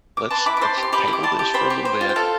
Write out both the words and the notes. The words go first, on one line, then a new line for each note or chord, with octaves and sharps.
let's let's table this for a little bit,
D6
B4 A5 C6
E4 B5 D6
D6
C5 A5 C6
G4
C6
G4 B5 D6
E4 D6
D5 A5 C6
G4
C5 G5 B5
G4
C5
F4
G5
A4 F5 A5